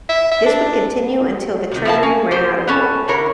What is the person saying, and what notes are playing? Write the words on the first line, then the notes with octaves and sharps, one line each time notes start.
This would continue until the Treasury ran out of gold.
E5
E5
D4
C3 D#3
F3 E4 A#4 E5 F5 A5
C#4 G#5
G4 C5
B3 C#4 A4
D3 E4 A#4 C#5